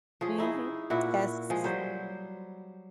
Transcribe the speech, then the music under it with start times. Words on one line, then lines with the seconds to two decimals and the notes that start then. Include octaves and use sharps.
Mhm. Yes.
0.21 F3 C#4 G#4
0.38 D#4 E4 G#4
0.90 A#2 E4 F#4
1.50 F3 G#3 G#4
1.64 F#3 G3 C5